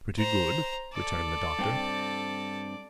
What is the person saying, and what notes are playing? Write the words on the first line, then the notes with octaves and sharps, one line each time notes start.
"Pretty good," returned the Doctor.
C5 A#5
A4 D5
G2 C4 G5